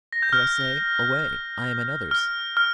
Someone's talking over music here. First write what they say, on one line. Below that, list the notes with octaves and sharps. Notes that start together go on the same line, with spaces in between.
Could I say "Away! I am another's"?
A#6
G6
F6
F6
F6